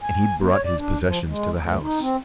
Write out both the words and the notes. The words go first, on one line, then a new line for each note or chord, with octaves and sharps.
And he brought his possessions to the house.
G#5
A#3
C#5
D5
D4
F3
G#3
D2
D#4
C4